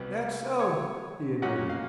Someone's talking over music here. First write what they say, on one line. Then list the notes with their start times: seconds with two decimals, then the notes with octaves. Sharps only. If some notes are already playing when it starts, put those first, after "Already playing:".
"That's so," he admitted.
Already playing: C2 B2 G3 B3 B4
0.60 C#5
1.42 A#2 F#3 A#3 C#4 F#5
1.69 F5